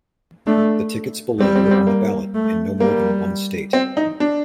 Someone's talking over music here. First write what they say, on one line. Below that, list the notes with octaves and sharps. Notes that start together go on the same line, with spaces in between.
The tickets below were on the ballot in no more than one state.
A3 D4
G3 C4
C4
C4
A#3
A3
G3 A#3
C4
D#4
D4